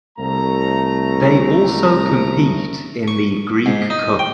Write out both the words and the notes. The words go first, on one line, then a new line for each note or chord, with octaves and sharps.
They also compete in the Greek Cup.
C2 A3 A#5
C#6
G#2
D#4
G5